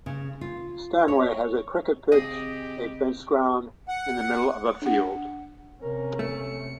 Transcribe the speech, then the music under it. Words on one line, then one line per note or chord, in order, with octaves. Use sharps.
Stanway has a cricket pitch, a fenced ground, in the middle of a field.
C#3
F4
C#5
C#3 C4 G4 G#4 D#5 G5
F#5
D4 F#5
C3 C#4 A#4
A3 C#7